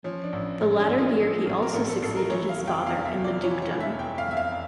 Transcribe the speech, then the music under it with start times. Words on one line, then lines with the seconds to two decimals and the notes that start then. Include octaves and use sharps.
The latter year he also succeeded his father in the dukedom.
0.04 F3 C#4
0.24 D4
0.33 A1
0.61 A2 C#4
0.80 D4
0.89 A1
0.98 F4
1.17 F3
1.46 A1
1.62 A#4
1.74 A2 A4
1.88 A4
2.02 A1 A4
2.16 A#4
2.30 E3 C#5
2.49 F5
2.59 F1
2.67 G5
2.87 E2 F5
3.05 E5
3.15 F1
3.24 D5
3.43 E3 C#5
3.62 C#5
3.71 F1
3.80 E5
3.99 E2 G5
4.18 F5
4.27 F1 E5
4.37 F5